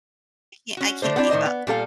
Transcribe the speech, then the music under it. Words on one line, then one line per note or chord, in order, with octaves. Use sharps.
ca I can't keep up.
C#4 F#4
D3 A3 D4 C5
B3 C4 D4 E4 D5
A2 D#3 G#3 C5 D#5
B3
A#2 G3 A4 F5